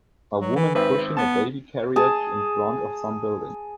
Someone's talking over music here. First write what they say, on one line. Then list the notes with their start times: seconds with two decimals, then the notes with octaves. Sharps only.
A woman pushing a baby carriage in front of some buildings.
0.41 F#3
0.56 E3
0.75 G#1 C4 B4 E5
1.17 B3 A5
1.96 G#4 A5